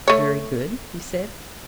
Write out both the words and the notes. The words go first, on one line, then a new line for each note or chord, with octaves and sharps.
Very good, he said.
A3 C#5